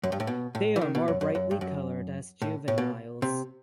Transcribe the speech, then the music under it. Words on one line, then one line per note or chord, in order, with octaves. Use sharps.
They are more brightly colored as juveniles.
F#2
G2
A2
B2
A2
E3
D#3
B2
F#2
F#2
F#2
G2
F#2
A2
A2
B2
C3